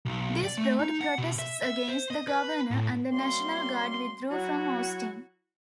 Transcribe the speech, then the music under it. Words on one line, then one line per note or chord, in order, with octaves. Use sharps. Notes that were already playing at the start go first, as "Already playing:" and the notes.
This brought protests against the governor, and the National Guard withdrew from Austin.
B1
D5
A3
D#4
F#5
B2
E5
E5
C5
D#5
B4
A2
F#2 G3 A#3 C4 C6
F#3 E4 F#4